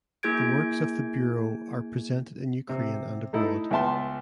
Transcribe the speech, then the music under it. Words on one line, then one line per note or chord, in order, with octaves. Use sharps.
The works of the bureau are presented in Ukraine and abroad.
A#3 E4 G#4 G6 G#6 D7
C3
A3 D#4 E4 A4
C#2 B3 E5 A5 C6